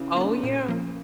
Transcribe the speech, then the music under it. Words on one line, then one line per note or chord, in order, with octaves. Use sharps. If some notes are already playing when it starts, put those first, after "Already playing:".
Oh, yeah.
Already playing: C#3 E3
A#3 D4
A#2
F3 A#3